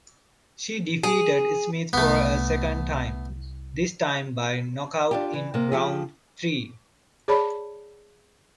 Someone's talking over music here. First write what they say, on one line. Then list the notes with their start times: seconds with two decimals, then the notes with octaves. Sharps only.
She defeated Smith for a second time, this time by knockout in round three.
1.03 G#4
1.93 C2 A3 B3
5.11 D4 F4 G4
5.34 E3
5.54 C3 A#3
5.72 F3 G4 G#4
7.28 G#4 C#5 D5 A5 B5